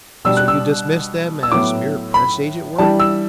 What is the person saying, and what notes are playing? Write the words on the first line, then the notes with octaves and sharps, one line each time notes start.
"So you dismissed them as mere press agent work?"
B2 G3 D4 E6
F#6
E6
E6
A2 F#3 B3 D6
B5
E3 G3 D4 A5
E6